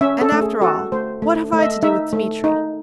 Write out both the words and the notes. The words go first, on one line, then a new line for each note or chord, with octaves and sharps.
And after all, what have I to do with Dmitri?
C#4 E5
A4
A3
G#4
F#4 A4
A3 C5
A3
A3
D#5
E5
D#4 E5
A3
D#4